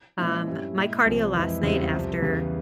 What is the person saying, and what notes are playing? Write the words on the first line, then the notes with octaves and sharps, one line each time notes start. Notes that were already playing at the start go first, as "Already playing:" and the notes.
Um, my cardio last night after
A#2 F3 G#3 C#4 E4
G2 G3 C#4 E4
A#2 G#3 E4
C2 C3 F3 C4
F2 E3 G#3 E4
E2 C#3 G3 C4 E4
C2 C3 F3
E2 C#3 E3 G3